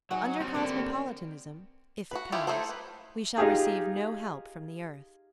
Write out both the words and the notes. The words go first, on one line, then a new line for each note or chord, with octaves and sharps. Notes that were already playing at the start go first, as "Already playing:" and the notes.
Under cosmopolitanism, if it comes, we shall receive no help from the earth.
F#3 D#4 C#5 F#5 G#5
G3 C4 C#4 C#6
D3 A#3 B3 G4
F#4 B4
G#3 D4 E4 F4 G4
A3 D#4 E4 A4 C5
B4
D#4 F4 G4 G#4